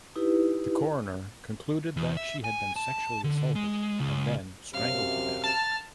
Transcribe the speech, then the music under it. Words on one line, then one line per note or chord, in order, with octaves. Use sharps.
The coroner concluded that she had been sexually assaulted and then strangled to death.
D#4 E4 G4 B4
E2
E5
G#5
A5
D3
G#3
C#2
F#2 C3 F5 F6
A5 F6